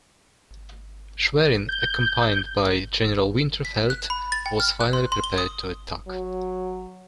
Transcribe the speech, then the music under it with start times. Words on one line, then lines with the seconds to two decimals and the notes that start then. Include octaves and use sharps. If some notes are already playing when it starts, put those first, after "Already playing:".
Schwerin, accompanied by General Winterfeldt, was finally prepared to attack.
1.69 G6
3.65 B6
3.90 F#6
4.10 B5
4.32 A6
4.46 G5
4.60 F6
4.81 F#6
4.93 C6
5.12 C6
5.24 G7
5.38 D#6
6.08 F#3